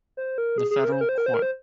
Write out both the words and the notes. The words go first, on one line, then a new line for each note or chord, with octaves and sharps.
The federal court.
C5
A#4
G#4
G#4
A#4
C5
A#4
C5
A#4
C5
A#4
C5